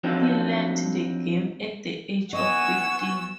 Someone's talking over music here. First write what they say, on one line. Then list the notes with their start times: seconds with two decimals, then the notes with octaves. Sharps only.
He learnt the game at the age of fifteen.
0.04 F3 F#3 C4 D4 D#4 A4
2.33 B3 D#5 F#5 G#5 C#6 E6